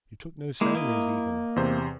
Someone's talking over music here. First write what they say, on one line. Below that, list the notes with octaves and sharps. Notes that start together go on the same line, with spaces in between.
You took no soundings even.
G#3 A#3 E4
A#3 D#5
E2 C3 C5